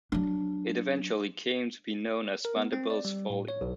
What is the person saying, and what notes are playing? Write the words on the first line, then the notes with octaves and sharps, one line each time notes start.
It eventually came to be known as "Vanderbilt's Folly".
F#3 D4
A#4
B3
C4
D5
G3
A2
C#5
B1